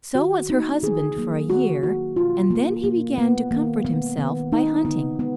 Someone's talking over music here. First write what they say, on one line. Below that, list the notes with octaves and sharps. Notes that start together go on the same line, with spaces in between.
So was her husband for a year, and then he began to comfort himself by hunting.
D#3 F#4
A#3 D#4
D#3 G#4
F#3 A#3
D#3 F#4
F#3 A#3 F#4
B2 F4
A#3
B2 A#3
A#3 B3
D#3 A#3
G#3 B3
D#3 B3
G#3 D#4
D3 B3
G#3 B3